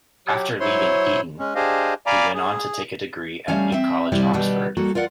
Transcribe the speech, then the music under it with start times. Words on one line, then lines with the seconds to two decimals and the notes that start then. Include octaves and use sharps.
After leaving Eton, he went on to take a degree at New College, Oxford.
0.28 F#3 G4
0.60 F#3 E4 C5 C#5 C6
1.39 G#3 C#4
1.55 D4 G4 G#4 C5 D#5 F5
2.06 D5 F5 G#5 A#5 B5 D6
2.34 G#4
3.48 G3 A3 C#4 F5
3.72 C4 E5
4.12 C3 G3 E4 G4
4.33 B2 D#3 G3 B3
4.77 G3 A#3 F#4 A4
4.95 F4 A#4 D5 F#5